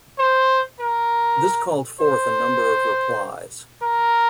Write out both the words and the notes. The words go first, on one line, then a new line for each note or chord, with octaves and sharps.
This called forth a number of replies.
C5
A#4
C5
A#4